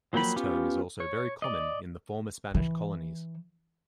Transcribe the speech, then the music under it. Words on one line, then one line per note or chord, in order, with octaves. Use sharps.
This term is also very common in the former Spanish Colonies.
F3 F#3 A#3 G5 B5
B3 C#4 F4 G4
C#5
D5 D#5
E3